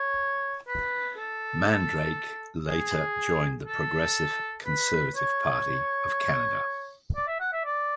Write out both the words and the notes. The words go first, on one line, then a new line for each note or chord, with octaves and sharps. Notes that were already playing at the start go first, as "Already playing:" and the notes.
Mandrake later joined the Progressive Conservative Party of Canada.
Already playing: C#5
B4
A4
G#4
A4
B4
C#5
D5
E5
F#5
E5
D5